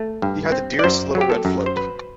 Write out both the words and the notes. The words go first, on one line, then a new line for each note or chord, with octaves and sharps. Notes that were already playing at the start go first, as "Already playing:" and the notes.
He had the dearest little red float.
Already playing: A3
G2
C4
D5
F#2 C5
F#3
G4
A4
F#2
C5
F#3 B4